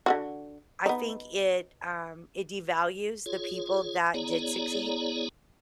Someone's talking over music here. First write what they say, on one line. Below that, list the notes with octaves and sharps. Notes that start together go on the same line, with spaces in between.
I think it, um, it devalues the people that did succeed.
D3 F4 F#4
B3 D#4
F4 G#4 C#5
B3 E4 G#4 C#5 D5 A#5